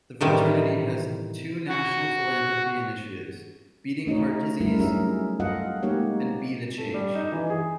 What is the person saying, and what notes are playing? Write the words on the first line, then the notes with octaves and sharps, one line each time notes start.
The fraternity has two national philanthropy initiatives: Beating Heart Disease and Be the Change.
A2 C3 D#3 E3 G3
F#4
A3 D#4 F#4 C#5
G3 A3 E4 F#4 A#4
F#3 C#4 D#4 G#4 A#4 E5
F4 A4 D#5 F5 F#5
G#3 A#3 D#4 G4 C#5
A3
G3
D#4
E3
G#4